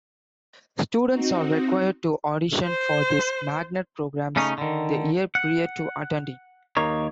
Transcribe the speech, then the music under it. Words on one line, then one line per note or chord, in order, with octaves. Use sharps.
Students are required to audition for these magnet programs the year prior to attending.
C4 D#4 F#4
C5
C#3 A3 C#4 D#4
D3 D#3
F#5
D#2 A#3 D#4 C#5